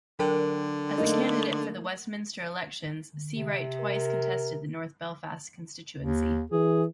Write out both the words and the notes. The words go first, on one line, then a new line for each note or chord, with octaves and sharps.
As a candidate for the Westminster elections, Seawright twice contested the North Belfast constituency.
D3 F#3 A#4 G5
A3 A#3 D#4
C3
A#4
D#2
E3 G#4